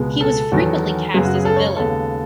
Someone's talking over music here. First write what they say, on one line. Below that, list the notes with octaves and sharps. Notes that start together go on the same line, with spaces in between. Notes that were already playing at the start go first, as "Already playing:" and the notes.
He was frequently cast as a villain.
Already playing: C#2 B2 G#3 B3
A4
E2 D#3 F#3 B3
F#2 C#3 F#3 B3 G#4
F#4
G#4
A4
C#5
C#5
D#2 C#3 G#3 B3 A4